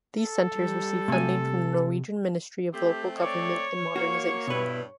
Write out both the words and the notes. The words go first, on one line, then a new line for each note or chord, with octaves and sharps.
These centers receive funding from the Norwegian Ministry of Local Government and Modernization.
A4
G3
C3 A3 G#5
A3 C4 G4
C#5 D5
A#3 F#4 C#6
G2 B2 E4 B4